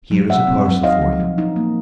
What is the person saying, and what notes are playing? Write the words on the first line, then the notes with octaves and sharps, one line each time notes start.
"Here is a parcel for you."
F#3
A3 E5 F#5
C4
F#3
D#4 D#5 F5
F3
F3
D#4
A#3